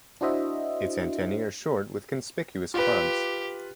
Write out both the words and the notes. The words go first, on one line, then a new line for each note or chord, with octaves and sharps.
Its antennae are short with conspicuous clubs.
D4 E4 F#4 C5 D#5 E5
F4 G4 B4